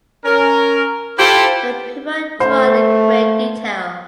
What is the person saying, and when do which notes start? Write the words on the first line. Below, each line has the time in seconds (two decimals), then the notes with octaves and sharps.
The people are drawn in great detail.
0.25 C#4 A#4
1.17 E4 F4 G4 A4 C5
2.40 A3 C5